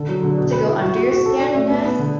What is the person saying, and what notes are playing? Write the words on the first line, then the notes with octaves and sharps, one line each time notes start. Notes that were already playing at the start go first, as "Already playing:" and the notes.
to go under your standing desk?
Already playing: D3 A4
F#3
D3
B2
B4
E4
F#4
F#4
F#4
A4
D4
A3
B3
B3
D3